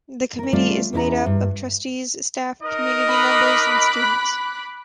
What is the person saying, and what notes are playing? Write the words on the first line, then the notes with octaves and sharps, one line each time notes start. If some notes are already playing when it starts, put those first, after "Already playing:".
The committee is made up of trustees, staff, community members and students.
C#4 A#4
G3 A3 C#4 F4 D5
E2 C#4 E4 B4 D#5 A#5
G2
D#4 A#4 D#5
B5 D6 F#6